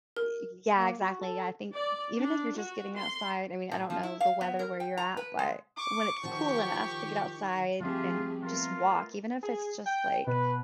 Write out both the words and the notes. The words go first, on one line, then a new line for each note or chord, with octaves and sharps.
Y yeah, exactly. I think even if you're just getting outside, I mean, I don't know the weather where you're at, but when it's cool enough to get outside and just walk, even if it's just, like,
A#4
A#3
F#4
A4
D5
D4
F#4
C6
A2
F3
E4
F5
B3
A#4
G5
A#5
B4
G#3
C#6 D6
D#3 F3 F#4 G4
F3 G3 A3 C4 F4 G4 G#4
A3 B3 F4 A#4
G#4
G5
B2 B4